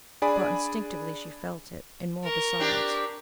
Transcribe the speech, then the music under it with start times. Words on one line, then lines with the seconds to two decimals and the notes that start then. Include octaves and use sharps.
But instinctively she felt it; and more besides.
0.22 D4 G#4 D5 G#5 B5
2.23 A#4 C#6
2.59 C4 D4 G4